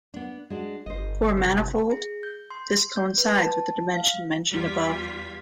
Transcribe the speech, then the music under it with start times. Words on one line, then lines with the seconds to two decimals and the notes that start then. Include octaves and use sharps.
For a manifold, this coincides with the dimension mentioned above.
0.14 B3 D4
0.50 G#3 D4 F#4
0.86 G1 C5 D#5
1.37 C3
1.53 G1
1.92 G#4
2.23 G6
2.50 C6
2.96 G6
3.18 B4
3.38 A5
3.94 F5
4.52 E2 G3 F4 G#6 B6